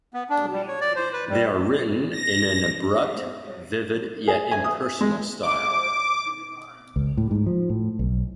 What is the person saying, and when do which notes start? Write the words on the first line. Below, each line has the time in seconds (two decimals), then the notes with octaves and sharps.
They are written in an abrupt, vivid, yet impersonal style.
0.14 B3
0.30 D4
0.52 G3
0.68 C#5
0.81 D5
0.96 C5
1.13 B4
1.29 G3
2.11 A#6
4.28 G#4
4.51 G#5
4.64 D#6
5.01 G#3
5.43 D6
6.96 C#2
7.17 A2
7.31 G#2
7.46 F3
7.70 A2
7.99 B1